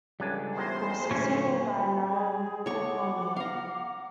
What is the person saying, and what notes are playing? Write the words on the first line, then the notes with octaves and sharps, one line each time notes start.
He was succeeded by Noam Pikelny.
C#2 G3 C#4 D4 A4 G#5
E2 D#3 G#3 C5
A#2 D3 F#3 A3 C#4
G#4
C#5 F#5 C#6 D6
F5 A#5